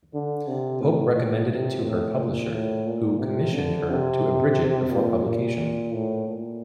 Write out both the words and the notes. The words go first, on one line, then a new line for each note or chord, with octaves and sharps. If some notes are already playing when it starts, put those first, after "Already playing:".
Pope recommended it to her publisher, who commissioned her to abridge it before publication.
D3
C3
A2
A#2
C3
A2
A#2
A2
A#2
C3
D3
C3
A#2
A#2
A2
A#2